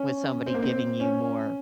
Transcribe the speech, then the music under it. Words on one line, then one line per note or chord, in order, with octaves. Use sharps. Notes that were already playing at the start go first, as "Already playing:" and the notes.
with somebody giving you more,
Already playing: C#4
C4
A#3
C4
C#4